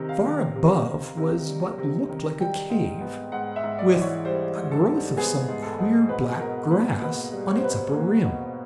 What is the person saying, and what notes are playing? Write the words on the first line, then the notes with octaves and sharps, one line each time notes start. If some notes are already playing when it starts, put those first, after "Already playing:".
Far above was what looked like a cave, with a growth of some queer, black grass on its upper rim.
Already playing: C3 D#3
F5
D#3
C3
C3
C3
G3
C3
D#3
G3 G5
G#2
B3
G#2 F#5
E5
G#2
D5
E3
C#5
G3 C5
G#2
A4
G3
B3 G#4
G#2
A4
G#2
B2 B4
B2 A#4
A#3 B4
B2 B4
G3
C#5
C5
B2 B4
C5
A#3
B2